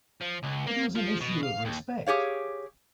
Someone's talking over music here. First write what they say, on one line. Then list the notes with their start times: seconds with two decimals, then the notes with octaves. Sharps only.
It was an issue of respect.
0.21 F3
0.43 C#2
0.67 A#3
0.96 F3
1.21 B2
1.43 F5
1.65 D#2
2.06 G4 G#4 C#5 F5